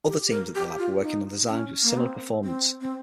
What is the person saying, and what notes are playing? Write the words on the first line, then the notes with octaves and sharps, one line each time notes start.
Other teams at the lab were working on designs with similar performance.
G4
A#4
G4
F4
D#4
C#4
A#3
C4
C4
C4